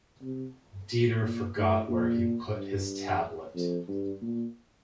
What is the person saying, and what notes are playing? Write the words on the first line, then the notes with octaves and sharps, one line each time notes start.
Dieter forgot where he put his tablet.
C3
A#2
A2
A#2
G2
F2
G2
A#2